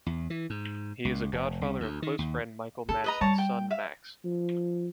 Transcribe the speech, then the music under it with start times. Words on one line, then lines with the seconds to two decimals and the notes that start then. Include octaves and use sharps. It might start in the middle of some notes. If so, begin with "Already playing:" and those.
He is a godfather of close friend Michael Madsen's son Max.
0.06 E2
0.30 E3
0.50 G#2
1.05 C#2
1.33 F1
1.61 C2
1.80 D2
2.02 D#3
2.19 D#2
2.89 D#4 A4
3.04 B4 D#5 A#5
3.21 G3 C#5 A5 A#5
3.38 G5
3.70 E5 F5
4.24 F3